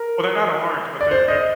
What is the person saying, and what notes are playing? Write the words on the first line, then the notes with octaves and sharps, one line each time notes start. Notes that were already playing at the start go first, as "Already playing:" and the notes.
Well, they're not orange, but their their
Already playing: A#4
D5
C5
D#5